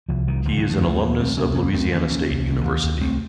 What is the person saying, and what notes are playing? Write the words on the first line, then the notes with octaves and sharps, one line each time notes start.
He is an alumnus of Louisiana State University.
C2 F3
C2 D#3
C#2 F3
D#3 F#3
C#2
F3 A3
D#2
D#2
C2 A3 C4
C2 A#3 C#4
D#2 A#3 C#4
D#2 A3 C4
D#2 A#3 C#4
D#2 A#3 C#4
C2
C2
D#2
D#2
C2 A3 C4